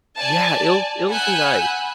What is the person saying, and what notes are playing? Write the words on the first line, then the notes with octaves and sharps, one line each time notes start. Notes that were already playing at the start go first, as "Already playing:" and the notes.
Yeah, it'll it'll be nice.
D5 G#5 A5
F#5 G#5 B5 E6 F#6 G6